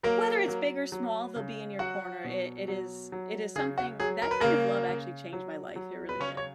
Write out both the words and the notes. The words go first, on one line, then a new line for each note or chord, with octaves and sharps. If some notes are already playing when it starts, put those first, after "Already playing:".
whether it's big or small, they'll be in your corner. It it is it is something that kind of love actually changed my life. It really did,
F#3 A#3 A#4
F#3
F#3
C#3
F#3 F#4 F#5
B2
F#3
F#3
C#3 G#4
F#4
F#3 G#4
A#4
B4
C#3 A#3 A#4
C#3
F#3
F#3
B4
C#3 C#4 C#5
C#5